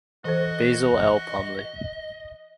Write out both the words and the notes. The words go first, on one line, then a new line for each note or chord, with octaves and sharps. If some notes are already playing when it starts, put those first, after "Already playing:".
Basil L. Plumley.
E3 F#4 A4 C5 D#5